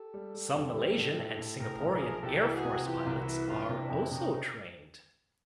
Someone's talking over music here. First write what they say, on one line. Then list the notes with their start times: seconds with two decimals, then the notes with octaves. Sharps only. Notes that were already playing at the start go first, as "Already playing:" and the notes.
Some Malaysian and Singaporean Air Force pilots are also trained.
Already playing: G4 A4
0.14 G3
0.34 G3
0.55 F2
0.77 G3
0.98 A2
1.18 A2
1.39 A2
1.60 A2 G#4 A#4
1.81 B1
1.91 G#4 A#4
2.02 F3
2.22 C2 G4 A4
2.44 E3
2.54 F#4 G#4
2.65 C3
2.85 E3 F4 G4
3.06 C2
3.17 E4 F#4
3.27 E3
3.48 G1 D#4 F4
3.69 C3
3.79 D4 E4
3.90 F2
4.10 C3 C#4 D#4